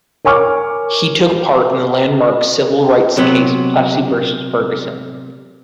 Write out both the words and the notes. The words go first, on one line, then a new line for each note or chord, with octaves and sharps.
He took part in the landmark civil rights case, Plessy versus Ferguson.
A#4 C#5 G#5 C#6 D6 F6
C3 F#3 B3